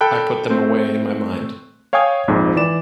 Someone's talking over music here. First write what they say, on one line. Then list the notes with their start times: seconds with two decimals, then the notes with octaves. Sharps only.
I put them away in my mind.
0.01 A4 G5 B5 F#6
0.50 A3 C4 C5
1.93 C#5 F5 G5 G#5 D#6 G#6
2.28 A#1 F2 G#2
2.56 E3 D5 E7